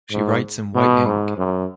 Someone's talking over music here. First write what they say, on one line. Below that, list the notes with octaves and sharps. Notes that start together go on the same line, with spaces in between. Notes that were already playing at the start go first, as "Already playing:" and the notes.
She writes in white ink.
G#2
B2
G#2
F#2